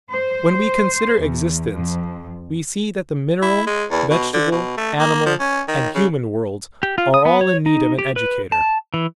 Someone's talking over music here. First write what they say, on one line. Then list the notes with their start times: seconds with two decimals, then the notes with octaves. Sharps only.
When we consider existence, we see that the mineral, vegetable, animal and human worlds are all in need of an educator.
0.13 C5
1.19 E2
1.72 F2
3.42 E4
3.67 G#3
3.91 E2
4.10 B2
4.34 D3
4.52 B2
4.77 A3
4.99 A#3
5.26 F3
5.40 C#4
5.68 D#3
5.95 C#3
6.83 G4
6.98 F4
7.14 D#6
7.25 B3
7.41 C#5
7.66 D#4
7.99 G4
8.16 B4
8.52 A5
8.94 E3